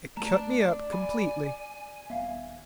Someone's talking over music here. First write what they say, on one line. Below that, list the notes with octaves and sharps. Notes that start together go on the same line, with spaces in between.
"It cut me up completely."
D1 A3 D4 D5 A5 A#5
G#5 B5
D#1 B3 E5 F5